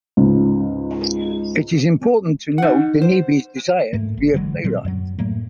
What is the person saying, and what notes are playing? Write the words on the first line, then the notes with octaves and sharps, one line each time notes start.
It is important to note Denevi's desire to be a playwright.
C#2 G#2 C#3
D#4 F#5
C5
G#2 A3 A#3
G#1
D3 E3 F#3 G#3
A#2 F#3 G3 C4
F#2 F#3
A2 F#3 A3 A#3